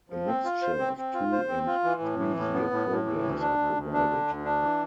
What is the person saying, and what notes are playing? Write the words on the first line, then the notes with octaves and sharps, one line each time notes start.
A mixture of two- and three-year programs are provided.
F3
C4
F4
C5
C4
C4
F4
C5
C4
F4
E3
A2
E3
A2
B3
A2
A2
E3
D2
D4
D2
D2
D4
D3
D2
D4
E3